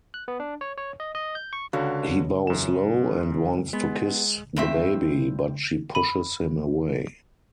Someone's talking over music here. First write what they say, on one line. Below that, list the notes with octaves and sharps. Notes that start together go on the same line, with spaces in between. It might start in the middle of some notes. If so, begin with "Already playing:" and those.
He bows low and wants to kiss the baby but she pushes him away.
F#6
B3
D4
C#5
C#5
D#5
D#5
G6
C#6
C#2 D3 F#4 F5
F#2 E7
G#3 B3
G2 C4 E5
B5 D#7